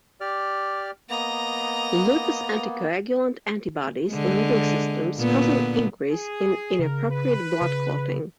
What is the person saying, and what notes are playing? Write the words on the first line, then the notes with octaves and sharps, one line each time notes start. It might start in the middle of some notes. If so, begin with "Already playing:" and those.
Lupus anticoagulant antibodies in living systems cause an increase in inappropriate blood clotting.
G4 D5 F6
A#3 B3 D#5 A#5
D3 G#3
A#2 D3 B3
G#4
C#3 A#4
B4
C#3